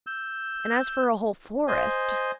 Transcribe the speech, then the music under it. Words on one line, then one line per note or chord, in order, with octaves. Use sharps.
And as for a whole forest--!
E6 G6
C5 D#5 G#5